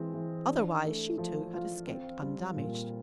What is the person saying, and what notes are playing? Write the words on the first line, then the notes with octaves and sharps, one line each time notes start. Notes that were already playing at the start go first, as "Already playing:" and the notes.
Otherwise she, too, had escaped undamaged.
Already playing: E3 G#3 C4
E3
D4
A3
F3
F4
C4
G3
A#2